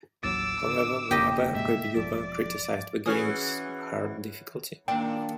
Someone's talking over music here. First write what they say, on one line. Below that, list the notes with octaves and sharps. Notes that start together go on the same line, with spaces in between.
However, the other reviewer criticised the game's hard difficulty.
A1 D#2 F#3 D6 E6 A6
A2 D3
E1 F2 C#3 A#3 D#4 G4 D#5
G#2 B2 G#3 E5
E1 F3 D5
E3 C#4 F#4 G#4 D#6 F6 G#6
A#2 D#3 A#3 D4 G5